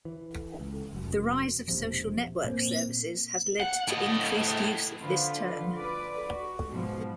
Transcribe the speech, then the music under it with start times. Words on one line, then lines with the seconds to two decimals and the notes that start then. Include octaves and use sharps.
The rise of social network services has led to increased use of this term.
0.05 E3
0.60 C#2
0.93 F1 F#2
1.68 E1 A#1 C3 F3
2.44 A#2 A#3 C4
3.60 F#5
3.88 A2 D#5
5.00 D3 F3 F4 B4
5.78 B4 D5
6.26 F#4
6.68 G#2 B2 F3